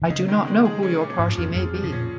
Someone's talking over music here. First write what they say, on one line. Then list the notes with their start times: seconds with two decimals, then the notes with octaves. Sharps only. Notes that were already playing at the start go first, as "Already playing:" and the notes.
I do not know who your party may be.
0.02 D#3
0.10 C#3 D#4
0.28 D#3
0.47 G#3
0.65 G#4
0.83 C#4
1.01 A#2
1.19 G#2 F3
1.38 F2 F4
1.56 F2 G#4
1.74 F3
1.83 C#3
1.92 A#2 C#4